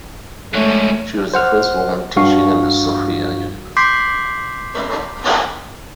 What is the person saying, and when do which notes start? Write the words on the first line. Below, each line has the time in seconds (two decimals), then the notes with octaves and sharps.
She was the first woman teaching in the Sofia University.
0.54 G#2 A3 C#4
1.34 C5 F#5 F6
2.16 G2 F#4 F5 C#6
3.77 C6 D6 G6 B6 C7